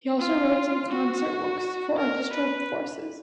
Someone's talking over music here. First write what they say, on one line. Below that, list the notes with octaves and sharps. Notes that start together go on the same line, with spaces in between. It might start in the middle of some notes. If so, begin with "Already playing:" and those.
He also wrote some concert works for orchestral forces.
F4
F#4
A#4
B4